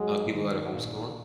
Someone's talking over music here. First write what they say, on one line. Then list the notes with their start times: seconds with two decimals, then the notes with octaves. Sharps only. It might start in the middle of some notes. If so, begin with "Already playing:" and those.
Of people that are homeschooling?
Already playing: G#2 F#3 G#3
0.33 D#3
0.73 A#1